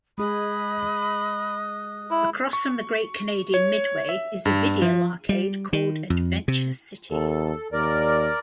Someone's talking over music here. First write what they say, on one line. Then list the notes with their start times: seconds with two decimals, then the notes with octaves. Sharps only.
Across from the Great Canadian Midway is a video arcade called Adventure City.
0.18 G#3 G#4 D#5 B5 D#6 F#6
2.11 E4
2.53 C#6
3.54 C#5
4.09 E5
4.45 G2
4.82 F3
5.29 G3
5.73 D#3
6.10 F2
6.48 C3
7.11 D#2 A4
7.73 D#2 A#4 D5